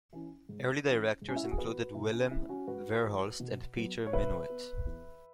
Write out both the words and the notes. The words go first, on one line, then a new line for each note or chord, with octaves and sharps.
Early directors included Willem Verhulst and Peter Minuit.
E3 C#4
G#2
E3 C#4
G#2
C#4
E4
F#4
G#4
E3 B3 F#4 B4
B2 E4
C#4
G#3 C#4 E4
C#4 F#4
G#2 F#4 B4
E3 G#3
B2
F#3 B3
C#5
B2 B4 E5
B3
E2